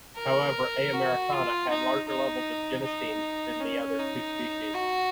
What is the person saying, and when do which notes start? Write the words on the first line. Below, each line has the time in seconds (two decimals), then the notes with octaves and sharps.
However, "A. americana" had larger levels of genistein than the other two species.
0.17 A#4
0.93 F#4
1.32 F4
1.70 D#4
2.09 D#4
2.84 D#4
3.60 C#4
3.99 D#4
4.74 F#4